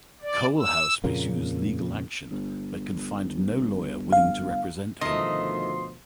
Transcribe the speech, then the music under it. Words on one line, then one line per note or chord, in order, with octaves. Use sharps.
Coalhouse pursues legal action, but can find no lawyer willing to represent him.
D5
E6
F2 A#2 C#3 A#3
G1
F5
D2 B2 D#3 F3 A3 D#5 C6